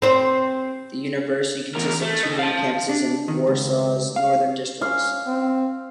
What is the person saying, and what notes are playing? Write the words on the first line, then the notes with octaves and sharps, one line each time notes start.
The university consists of two main campuses in Warsaw's northern districts.
C4 C5
E2 A#4
A3
D#2 D#5
F5 A5
D4
D#3
C#2
F5
C#4 F5
C4